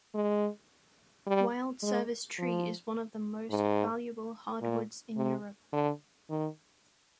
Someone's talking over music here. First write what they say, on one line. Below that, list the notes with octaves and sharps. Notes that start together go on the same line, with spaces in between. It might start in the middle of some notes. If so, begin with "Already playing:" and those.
Wild service tree is one of the most valuable hardwoods in Europe.
G#3
G3
G#3
F3
G#2
A#2
C3
D3
D#3